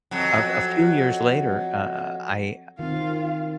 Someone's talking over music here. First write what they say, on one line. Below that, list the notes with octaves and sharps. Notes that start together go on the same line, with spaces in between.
a a few years later, uh, I
F2 F#3
D#3 C4 F4 F5